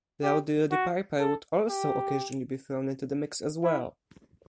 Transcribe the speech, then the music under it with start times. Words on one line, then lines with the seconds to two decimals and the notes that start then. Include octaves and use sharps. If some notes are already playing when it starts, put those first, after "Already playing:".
Rowdy Roddy Piper would also occasionally be thrown into the mix as well.
0.23 G4
0.72 F#4
1.20 A4
1.69 G4
3.64 E4